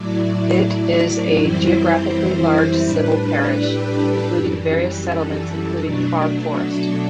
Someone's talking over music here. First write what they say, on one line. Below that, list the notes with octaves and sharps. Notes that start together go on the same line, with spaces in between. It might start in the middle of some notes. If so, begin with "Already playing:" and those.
It is a geographically large civil parish, including various settlements including Far Forest.
Already playing: A2 F#3 A3 E4 D5
F#2 E3 G3 C4 E4 C5
A2 G3 D4 B4
A4
G4
F#2 E3 G3
A4
B2 F#3 A3 D4
A4